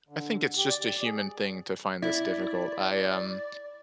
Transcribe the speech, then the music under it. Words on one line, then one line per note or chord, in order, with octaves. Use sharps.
I think it's just a human thing to find this difficult, I, um,
D3
G4
D5
G#4
E4 D5